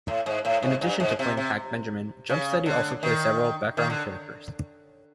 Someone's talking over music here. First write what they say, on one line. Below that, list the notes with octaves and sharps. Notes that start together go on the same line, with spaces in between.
In addition to playing Hack Benjamin, Jumpsteady also plays several background characters.
A2
G#2
A2
G#2
G2
G#2
C3
C3
C#3
D3
D#3
D#3
D3